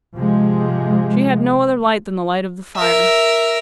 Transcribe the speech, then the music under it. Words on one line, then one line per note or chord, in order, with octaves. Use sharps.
She had no other light than the light of the fire.
C3 F3 G#3
A#4 E5